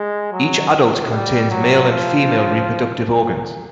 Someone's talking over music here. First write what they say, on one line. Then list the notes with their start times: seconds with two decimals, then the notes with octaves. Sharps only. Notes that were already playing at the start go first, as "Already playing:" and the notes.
Each adult contains male and female reproductive organs.
Already playing: G#3
0.32 F#3
1.11 G3
1.50 F#3
1.90 F3
3.08 F#3